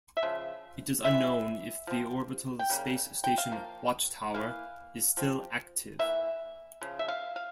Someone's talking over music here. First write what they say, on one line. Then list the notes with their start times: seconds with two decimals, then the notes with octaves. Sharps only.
It is unknown if the orbital space station Watchtower is still active.
0.17 E5
0.23 C#3 F3
1.05 E3 G3 C4 E5
1.87 F3 C4
2.59 G5
2.70 C#3 G3 A#3
3.24 G5
3.38 F5
3.52 F3 A#3
4.34 E3 A#3 F5
5.17 F3 C4
5.99 E3 A#3 E5
6.81 C#3 F3
6.99 E5
7.08 F5
7.36 F5